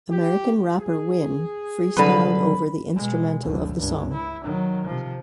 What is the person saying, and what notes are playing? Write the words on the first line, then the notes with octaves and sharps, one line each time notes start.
American rapper Wynne freestyled over the instrumental of the song.
G4
G#4
C2 D3 F#3 B4
B2 G#3
F#1 D2
C#2 G2
E4
D#3 F#3
C3 F3